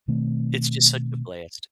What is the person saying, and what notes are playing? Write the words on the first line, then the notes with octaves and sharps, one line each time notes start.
it's just such a blast.
B2 D#3 A3 C4